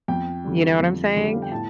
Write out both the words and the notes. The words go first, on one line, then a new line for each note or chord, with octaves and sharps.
You know what I'm saying?
F2 G5
D3 G3
F2
D3 G3
F5
G5
A2 A5